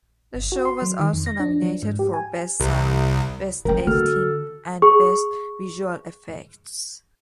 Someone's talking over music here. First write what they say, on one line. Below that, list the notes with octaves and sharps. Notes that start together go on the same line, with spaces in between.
The show was also nominated for Best Sound, Best Editing, and Best Visual Effects.
G1
F#4
C6
F#3
D#3
F2
A#6
D4
F3
G#2
G4
G#5
C2
F#3 C#4 A#4 G5
D3 F#4 A4 F6
G#4 C#6